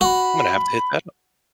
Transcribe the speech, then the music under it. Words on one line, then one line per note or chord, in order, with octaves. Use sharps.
I'm gonna have to hit that up.
F#4 B5 C#6